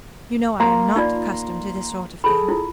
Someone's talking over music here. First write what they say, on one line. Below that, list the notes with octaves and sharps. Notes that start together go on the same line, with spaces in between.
You know I am not accustomed to this sort of thing.
A#3 A#5 C6
D#4 F4 D5
G#4 A4 B5
E4 F4